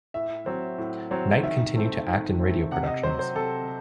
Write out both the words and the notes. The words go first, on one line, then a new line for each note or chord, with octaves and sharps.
Knight continued to act in radio productions.
A2 E5
F#3 C4
A2
F#3 C4
D#3 E5
A3 C4
D#3
A3 C4
C3 F#5
D#5
F#3 C4 C5
C5
C3 A4